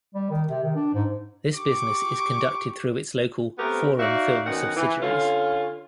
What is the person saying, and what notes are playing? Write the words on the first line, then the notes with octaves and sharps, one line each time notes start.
This business is conducted through its local "Forum Film" subsidiaries.
G3
D#3
C3
D#3
D4
G#2
G4 C#6 D6
A3 B3 C4 G4 A#4
D#4 F#4 D5 E5 F5
F#2 D#3 B3 F#5
E3
D3 C#4 F4